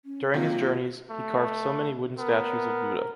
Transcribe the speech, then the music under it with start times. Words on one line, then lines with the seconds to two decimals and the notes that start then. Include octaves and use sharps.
During his journeys, he carved so many wooden statues of Buddha.
0.05 C#4
0.34 C3 D#3 F#3 A#3 F4
1.10 A3
2.18 B3 A#4